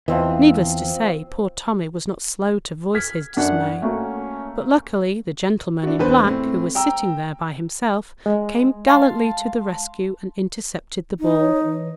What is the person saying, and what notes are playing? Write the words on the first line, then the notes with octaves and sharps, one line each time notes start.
Needless to say poor Tommy was not slow to voice his dismay but luckily the gentleman in black who was sitting there by himself came gallantly to the rescue and intercepted the ball.
E2 E3 F3 C4 D#5
F6 G#6 B6
F#2 D4 F#5
A3 A#3 C#4 F#4
D4 E4 F#4
E2 D4 B4 C5
A2 C4
G5 A#5 E6
G#3
F5 A5 C6
D#4
C#5
E3